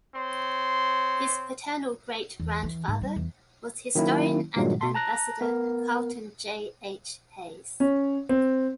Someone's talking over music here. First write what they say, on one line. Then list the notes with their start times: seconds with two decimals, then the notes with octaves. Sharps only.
His paternal great-grandfather was historian and ambassador Carlton J. H. Hayes.
0.15 C4 C#5 C6
2.40 E2
2.63 E3
2.88 G#2
3.01 G3
3.16 E2
3.95 D#3 F#3 A#3 C#4 E4
4.56 G2 A#2 D#3 F#3 G#3
4.81 B2 C6
4.94 A5 A#5 F#6 A#6
5.41 B3 A#4
7.80 C#4
8.29 C4